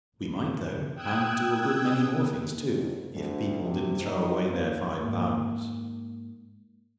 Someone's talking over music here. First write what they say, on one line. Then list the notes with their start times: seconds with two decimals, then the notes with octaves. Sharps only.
We might though, and do a good many more things too, if people didn't throw away their five pounds.
0.94 G5 D#6 E6 F#6 G#6
2.60 F#1
3.13 D2
3.62 C3
4.04 D#4
4.47 A#3
5.01 G#2 A#3